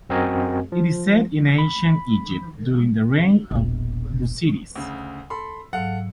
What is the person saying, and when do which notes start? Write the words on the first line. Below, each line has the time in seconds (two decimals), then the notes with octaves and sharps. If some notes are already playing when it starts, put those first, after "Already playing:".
It is set in Ancient Egypt during the reign of Busiris.
0.10 F#2 C4 F#4 A#4 D#5 G#5
0.72 F3
1.58 B5
3.51 E1 A#1
4.76 D2 C#3
5.30 A4 B5 C6
5.73 G#2 F#3 A4 F5 F#5